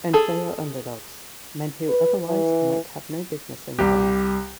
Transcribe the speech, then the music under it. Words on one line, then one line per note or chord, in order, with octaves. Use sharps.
And they are underdogs, men who otherwise might have no business in the game.
G#4 A4
B4
E3
C2 G4